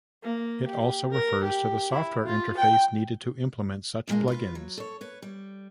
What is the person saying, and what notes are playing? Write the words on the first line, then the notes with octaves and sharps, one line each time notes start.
It also refers to the software interface needed to implement such plugins.
A#3
G4
A#4
G4
E4
F4
G5
D2 A#2 D#3 G#3 A#3
F4 B4
F#3
A4 C#5
B4 C#5
G3